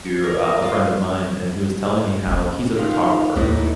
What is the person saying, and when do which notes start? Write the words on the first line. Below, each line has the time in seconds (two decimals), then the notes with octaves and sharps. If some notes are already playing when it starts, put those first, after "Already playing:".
to a a friend of mine, and he was telling me how he's a photographer
0.24 A#4
0.62 F4
2.26 A#3 C#4
2.76 D#3 F4
3.36 D#2 A2 E3 A3 D#4